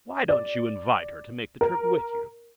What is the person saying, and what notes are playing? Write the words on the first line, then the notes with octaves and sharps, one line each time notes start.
Why don't you invite her to make the trip with you?
D5
A#4